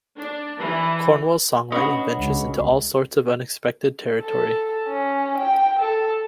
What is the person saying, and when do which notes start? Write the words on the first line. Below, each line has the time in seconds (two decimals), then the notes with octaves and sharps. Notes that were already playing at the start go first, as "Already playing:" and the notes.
Cornwell's songwriting ventures into all sorts of unexpected territory.
0.19 D4
0.59 E3
1.72 C#4 D4 F#4 B4 D#5
2.17 C#2
4.21 A4
4.87 C#4
5.38 G5
5.79 A4